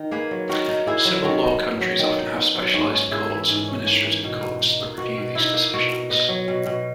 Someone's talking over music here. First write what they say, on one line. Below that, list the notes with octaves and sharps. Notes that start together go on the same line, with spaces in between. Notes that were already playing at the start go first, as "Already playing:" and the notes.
Civil law countries often have specialized courts, administrative courts, that review these decisions.
Already playing: D#3 D#4
A#3 G#4 B4
F#3
D#3 F#4 A#4
D#4
A#3 E4 G#4
F#3
D#3 F#4
D#4
B3
F#3
D#3
D#4
B3
F#3
G#2 F#4
C#4
A#3 E4 G#4
E3
G#2
C#4
A#3
E3
B2
B2
D#4
A#3
B2 F#4
B2
D#4 E4
A#3
B2 F#4
B2
B3 B4 D#5
F#3
B2
B2